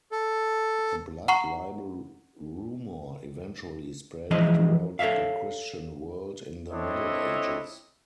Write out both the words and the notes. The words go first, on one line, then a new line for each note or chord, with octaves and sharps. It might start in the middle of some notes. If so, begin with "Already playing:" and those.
The blood libel rumor eventually spread throughout the Christian world in the Middle Ages.
A4
F#5 A#5 C#6 C7
E3 F3 G#3 C5 D#5
A4 C#5 D5 E5 F5
C4 D4 E4 A4 C#5 D#5